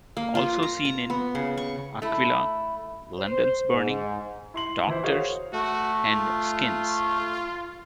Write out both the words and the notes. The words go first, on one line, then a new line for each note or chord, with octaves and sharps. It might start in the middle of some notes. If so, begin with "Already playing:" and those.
Also seen in "Aquila", "London's Burning", "Doctors" and "Skins".
A#3
F4
A#5
A#5
B3
C#3
C#6
A3 E4
C5
G#2
E4 C6 F#7
E3 E4 C5
F#4 G#4 A#4 C5 C#5 F5
A3 F#4
F4